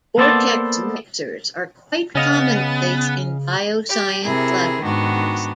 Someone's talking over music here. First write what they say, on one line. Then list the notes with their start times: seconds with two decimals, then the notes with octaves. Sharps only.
Vortex mixers are quite commonplace in bioscience laboratories.
0.18 A#3 B3 A4 C5 D5 A5
2.15 C#3 B3 C#4 D#5 F5
3.89 G4
4.24 C3 E4 G#4 A#4
4.83 G#2 D#3 B3 D4 F#4